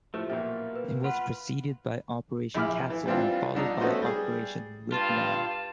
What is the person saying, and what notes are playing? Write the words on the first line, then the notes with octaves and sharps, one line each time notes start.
It was preceded by "Operation Castle", and followed by "Operation Wigwam".
A2 F3 A3 G4 C5 E5
B1 A#2 A#3 G4 E5
B4
F4 B4 F#5
A#1 E4 B5 D6 F6
E3
E3 G3 C4 D4 F4
C2 F3 D4 D#4 D5 A#5
A3 B3 C#4 D#4 F#4 C5
G3 G#4
G2 F4 A5